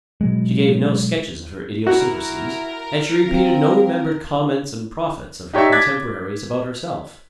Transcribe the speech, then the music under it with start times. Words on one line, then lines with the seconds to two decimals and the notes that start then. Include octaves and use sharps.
She gave no sketches of her idiosyncrasies, and she repeated no remembered comments and prophets of her contemporaries about herself.
0.21 B2 F#3 G#3
1.87 E4 F#4 A#4
3.27 A#3 C4
5.54 D#4 G4 C#5 D5 E5
5.72 D6 F#6 G#6 A6 B6